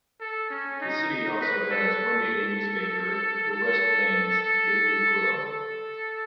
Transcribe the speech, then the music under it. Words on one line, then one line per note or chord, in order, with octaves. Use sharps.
The city also has one daily newspaper, the "West Plains Daily Quill".
A4
C#4
D#4
D#4
B4
A4
A4
A4
A4